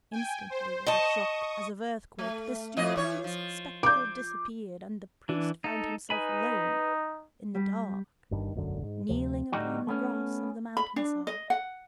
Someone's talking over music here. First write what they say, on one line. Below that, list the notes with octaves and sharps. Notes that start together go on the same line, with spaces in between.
Instantly with a shock as of earthquake the stupendous spectacle disappeared; and the priest found himself alone in the dark, kneeling upon the grass of the mountain-side.
G5 G#5
C5
D#5 A5 C#6 D#6
A3
F2 A2 D#5
E3 C#5
F3
D6 G6
E3 D4
D#4 A4
D#4 B4 G#5 B5
G3
G1 G2 B2 D#3
E1 A#1 F#2 D3
G#2
D2 C3 F3
A2 D3 G3 D#4 F#4
A3 B3 C#4
B5
D4
D#5
F#5